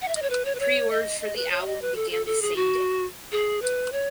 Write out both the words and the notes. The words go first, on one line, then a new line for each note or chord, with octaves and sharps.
Preorders for the album began the same day.
F#5
E5
D#5
C#5
B4
C#5
B4
C#5
D#5
D#5
B4
C#5
E5
D#5
B4
A4
A4
A4
G#4
F#4
G#4
B4
C#5